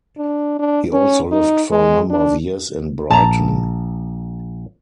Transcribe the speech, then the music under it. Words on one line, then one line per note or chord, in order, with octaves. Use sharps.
He also lived for a number of years in Brighton.
D4
D4
C#4
D#4
G#3
D4
A#1 A5 A#5